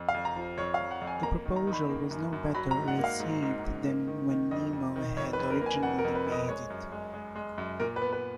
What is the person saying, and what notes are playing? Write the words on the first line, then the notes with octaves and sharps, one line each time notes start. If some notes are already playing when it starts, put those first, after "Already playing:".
The proposal was no better received than when Nimmo had originally made it.
Already playing: F2
F5
F2
A#5
F3
F2 C#5
F5
F2
F#5
F2
G#5
A#3 A#5
D#3
A#5
D#3
B5
A#3
F#2
F#2
F#3 B5
A#5
G#2
F#5
A#3
F5
G#2
G#2
G#2
A#3
D#3
D#3
F2 D#5
F2
D#3
F2 C#5
B4
F2
A#4
A#3 G#5
F2 F#5
A#4
F2
B4
F2
D#5
G#3 C#5
F#2
G#3
G#3
G#3
F#2
A#2 A#4
B4
B3
B4